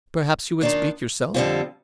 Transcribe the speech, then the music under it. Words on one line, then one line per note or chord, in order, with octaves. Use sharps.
'Perhaps you would speak yourself?'
D#3 A#3 D4 F4
F2 D3 G3 C4 F4